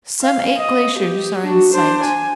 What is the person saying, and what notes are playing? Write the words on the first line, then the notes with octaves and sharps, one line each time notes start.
Some eight glaciers are in sight.
F5
D#5
G4
D4 F#4
D4 C5
G#5